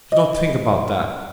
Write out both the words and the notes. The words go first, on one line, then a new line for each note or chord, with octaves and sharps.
Do not think about that.
D#5